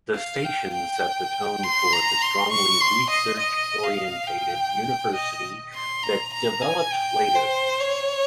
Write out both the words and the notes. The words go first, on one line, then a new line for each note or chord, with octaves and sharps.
The station set the tone for the strongly research-oriented university that developed later.
F5
G5
G5
C6
A#5
C6
C#6
C6
D#5
D#5
F5
G5
D#5
C6
A#5
A#5
G#5
G5
C5
C#5